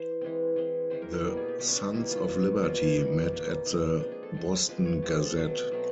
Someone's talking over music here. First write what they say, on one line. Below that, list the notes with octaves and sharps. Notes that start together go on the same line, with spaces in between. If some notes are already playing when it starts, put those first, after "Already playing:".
The Sons of Liberty met at the Boston Gazette.
Already playing: E3 C5
E3 G#3 C4
E3 G#3 C4
E3 G#3 C4 C5
A#4
A#4
B2 G3 A#3
G#4
G4
B2 G3 A#3 G4
C#4
D4
D#4
B2 G3 A#3 E4
F4
B2 G3 A#3 F#4
B2 G3 A#3 F4
F4
E4
B2 G3 A#3 D#4
B2 G3 A#3
B2 G3 A#3 D#4
F3 G#3 C4 D4
G#4
A4
F3 G#3 C4
F3 G#3 C4 B4
C#5
F3 G#3 C4 G4
G#4
A4
B2 F#3 A3 C4
B2 F#3 A3 C4